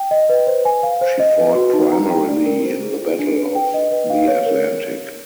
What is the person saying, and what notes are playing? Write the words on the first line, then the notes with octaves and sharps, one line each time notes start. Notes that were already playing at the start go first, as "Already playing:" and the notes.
She fought primarily in the Battle of the Atlantic.
Already playing: G5
D#5
B4
C5
G#5
F5
C5
D#5
B4
F#4
D#4
A#5
G5
D5
A#4
C5
G#4
F4
D4
B4
G5
D#5
B4
F5
C#5
A#4